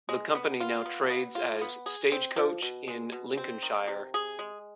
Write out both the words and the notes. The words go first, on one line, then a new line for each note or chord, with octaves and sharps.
The company now trades as Stagecoach in Lincolnshire.
G#3
B3
F4
B3
B3
F4
B3
G#4
C4
F3
B2
G#3
B2
C4
D#3
C3
G#4
G#3